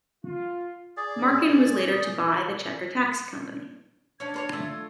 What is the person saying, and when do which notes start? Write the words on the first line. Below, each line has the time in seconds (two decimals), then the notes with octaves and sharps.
Markin was later to buy the Checker Taxi Company.
0.24 F4
0.97 G#4 D5
4.20 F3 C#4 D4 G#6
4.34 A#3 B4 C#5
4.49 A3 F4